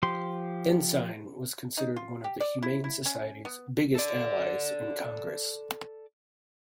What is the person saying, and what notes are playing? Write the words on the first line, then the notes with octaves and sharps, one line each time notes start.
Ensign was considered one of the Humane Society's biggest allies in Congress.
F3 G4 C6
D#4
F4
G4
D5
E4
E4
C#4
B3
A4 D5